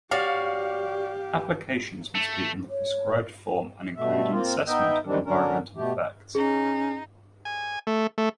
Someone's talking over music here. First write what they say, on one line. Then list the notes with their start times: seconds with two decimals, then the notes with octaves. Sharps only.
Applications must be in the prescribed form and include an assessment of environmental effects.
0.11 F#4 G4 C#5 D5 F5
2.15 A3
2.70 C#5
3.96 G2 B2 A3 E5
4.31 A#3 C4 F4
4.67 B3 D#4 D#5 E5 G5
5.06 D#3 E3 G3 C4 D4
5.26 D3 F#3 C#4 D4 A#4
5.76 B2 A3 G4
6.35 C#4 D#4 G#4
7.45 G#5
7.87 A3
8.18 A3